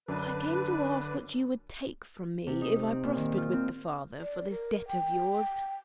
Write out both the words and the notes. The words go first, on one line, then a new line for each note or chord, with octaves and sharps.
I came to ask what you would take from me, if I prospered with the father, for this debt of yours.
F#2 D3 D4 B4
C3
D#4
C4
A#2
D#3
F4
C4
D5
A#4
G5